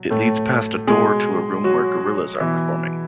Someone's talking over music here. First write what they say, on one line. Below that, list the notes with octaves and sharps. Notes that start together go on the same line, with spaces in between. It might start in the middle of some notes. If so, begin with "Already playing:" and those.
It leads past a door to a room where Gorillaz are performing.
Already playing: B2 F#3
A2 A3
B2 G#3 G#4
F#3 F#4
B2 E3 E4